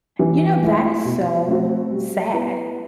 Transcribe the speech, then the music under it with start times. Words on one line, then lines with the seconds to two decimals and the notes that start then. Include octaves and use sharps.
You know, that is so sad,
0.19 E3
0.62 A3 E4
1.05 B2
1.48 A3 C4 F#4
1.91 G3
2.33 B3 E4